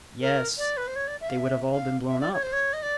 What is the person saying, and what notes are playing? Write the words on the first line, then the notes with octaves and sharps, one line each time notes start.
"Yes, they would have all been blown up."
A#4
D5
B4
C5
C#5
D5
E5
F5
E5
F5
E5
D5
C#5
C5
C#5
D#5
D5